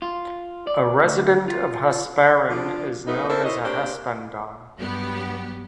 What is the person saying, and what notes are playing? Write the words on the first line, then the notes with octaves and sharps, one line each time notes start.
A resident of Hasparren is known as a 'Haspandar'.
F4
D5
D2
F4
F3 D4 F4
D#3 F#3 A3 B3 D#4
C4 D4 E4 A4 A#4 C5
E4 C5 C#5 D#5
A#3 C4 D4 G4 A#4 C5
G2 F#3 B3 G4